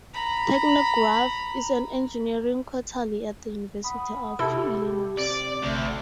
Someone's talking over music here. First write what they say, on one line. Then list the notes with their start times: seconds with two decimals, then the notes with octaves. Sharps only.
"Technograph" is an engineering quarterly at the University of Illinois.
0.14 A#5 B5
3.84 F#5 B5 D#6
4.39 C3 E4 G4 A4
5.18 C4 D5
5.63 A1 D2 C3 A3